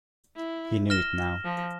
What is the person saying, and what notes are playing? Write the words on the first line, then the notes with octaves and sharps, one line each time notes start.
He knew it now.
E4
F6 A#6 E7 G7
F3